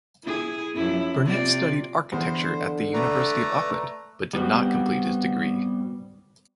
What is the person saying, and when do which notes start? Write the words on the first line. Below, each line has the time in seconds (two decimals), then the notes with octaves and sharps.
Burnett studied architecture at the University of Auckland but did not complete his degree.
0.24 E4 G#4
0.74 F#2 F3 E4
1.25 C3 F4 D5
2.12 E2 D3 C5
2.94 A3 B4 D5 A#5
4.33 G3 B3 C4 F#4